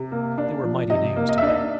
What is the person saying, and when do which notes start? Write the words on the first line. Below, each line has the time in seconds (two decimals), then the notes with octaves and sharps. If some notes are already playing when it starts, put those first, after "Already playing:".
They were mighty names to him.
Already playing: C3
0.12 A#3
0.38 D4
0.64 F3
0.90 C3 D#4 D#5
1.16 A#3
1.29 D#5
1.38 E5
1.42 D4 D#4 D#5